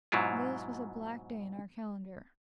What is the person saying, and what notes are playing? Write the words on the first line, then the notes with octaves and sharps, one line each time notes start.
This was a black day in our calendar.
G#2 B2 F#3 E4 F4